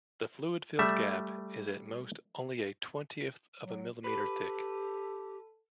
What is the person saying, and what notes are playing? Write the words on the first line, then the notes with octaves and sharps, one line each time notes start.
The fluid-filled gap is at most only a twentieth of a millimetre thick.
G3 A3 E5
F#3
G4 A4 B4